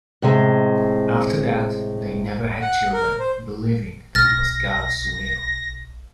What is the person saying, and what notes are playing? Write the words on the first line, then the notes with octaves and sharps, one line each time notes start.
After that, they never had children, believing that it was God's will.
A2 C3 G#3
F#5
A#4
C5
B1 F6 A6 A#6